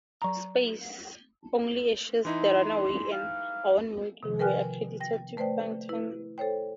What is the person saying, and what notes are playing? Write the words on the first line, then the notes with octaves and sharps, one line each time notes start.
"Space", "Only Ashes", "The Runaway" and "I Won't Make You" were credited to Partington.
F#3 A#5
E3 D#4 E4 C6
F5
C3 D#3 F3
A#4 B4 G5 G#5 F6 F#6
G5 A#6
A3 B4 C5 D5 G5
E4 B4
A4 C5 C#5 G5